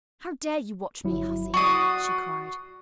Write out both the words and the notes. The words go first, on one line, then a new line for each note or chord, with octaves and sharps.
"How dare you watch me, hussy?" she cried.
G1 F#3 E4
F#4 D5 C#6 D#6 C7